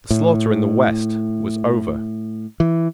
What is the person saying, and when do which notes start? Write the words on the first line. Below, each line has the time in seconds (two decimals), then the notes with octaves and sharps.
The slaughter in the West was over.
0.11 A2
2.60 E3